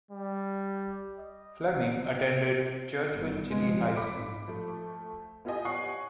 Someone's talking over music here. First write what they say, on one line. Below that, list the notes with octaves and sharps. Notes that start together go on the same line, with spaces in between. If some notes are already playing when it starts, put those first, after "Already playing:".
Fleming attended Churchville-Chili High School.
G3
D#5
G1 B3
F3 G#3
B5 D6 B6 D7
F3 A3
B3 E4 F4 G4 D#5 G#5
C#5 F#5 G#5 C#6 C7